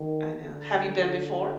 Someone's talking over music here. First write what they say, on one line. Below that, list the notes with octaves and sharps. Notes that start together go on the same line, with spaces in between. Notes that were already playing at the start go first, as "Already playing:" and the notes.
I know. Have you been before?
Already playing: D#3
D3